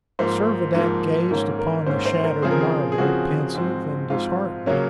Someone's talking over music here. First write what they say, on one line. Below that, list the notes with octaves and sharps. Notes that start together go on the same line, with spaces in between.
Servadac gazed upon the shattered marble, pensive and disheartened.
G#2 F3 A#3 C5
G#2 F3 A#3
G#2 D#3 A#3 C#4 A#4
A#4
G#2 D#3 A#3 C#4 C5
C5
A#4
C#3 F3 C4 G#4
A#4
G#4
G#4
C#3 F3 C4 F#4
G#2 F3 C4
G#2 F3 C4 F4
C#3 F#3 A#3 C#4